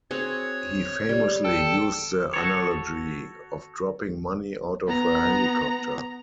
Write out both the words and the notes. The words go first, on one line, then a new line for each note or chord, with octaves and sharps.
He famously used the analogy of dropping money out of a helicopter.
C4 F#4 G#4 C#5
G3
A4 G5 A5
F#4 A4 C#5
B3 A#5